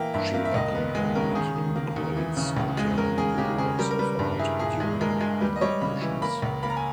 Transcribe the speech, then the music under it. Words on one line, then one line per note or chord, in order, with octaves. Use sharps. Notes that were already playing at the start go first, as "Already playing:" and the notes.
She accompanied the crates containing the works of art during night missions.
Already playing: E3 A#3 E5 G5
G2 E5
A#3
E5
C#2 D#5
B3
G#3
C#3 A#4
D#3 G#4
D#3
A#3
D#2
E3
C#3
C#2
G#3
C#3 A#4
C#3 G#4
C#3 G4
C#3 G#4
G3 A#4
A#4
G3 B4
G2
E4 G#4
A#2 G#4
G#3
G#3 A#4
G#3
G3 B4
D#5
G3 C#5
C#3 B5
E3
A#3 B5
C#2
A#3 B5
A#5
G#5